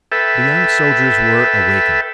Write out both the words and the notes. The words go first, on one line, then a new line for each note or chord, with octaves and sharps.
The young soldiers were awakened.
A4 B4 E5 G5